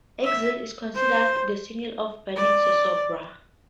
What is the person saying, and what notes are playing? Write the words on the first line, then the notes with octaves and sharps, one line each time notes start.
"Exiled" is considered the single of "Burning Sosobra".
E5
C5
D5